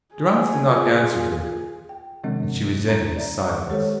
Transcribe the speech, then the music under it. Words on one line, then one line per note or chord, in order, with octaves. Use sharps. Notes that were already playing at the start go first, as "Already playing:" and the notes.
Durrance did not answer her, and she resented his silence.
G#4
F4
G5
C3 D#3 F3 G#3 C4 D4
D4 A#5 G6
D5 E5 A#5
C#6 D6
D#3 G#3 G4 A4 C5 C#5